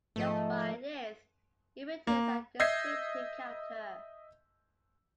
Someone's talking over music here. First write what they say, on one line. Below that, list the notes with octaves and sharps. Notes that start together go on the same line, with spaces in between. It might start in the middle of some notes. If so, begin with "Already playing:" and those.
Despite this, it retains a distinctive character.
G#2 F3 A3 D#5
A#3
D#5 E5 E6 G6 G#6 C7